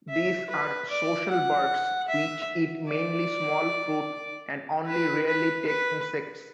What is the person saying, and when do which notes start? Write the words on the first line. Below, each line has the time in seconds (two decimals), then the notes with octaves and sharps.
These are social birds which eat mainly small fruit and only rarely take insects.
0.10 E5
0.50 B4
0.90 D5
1.30 F#5
2.08 E5
2.89 D5
4.87 B4
5.27 B4
5.67 B4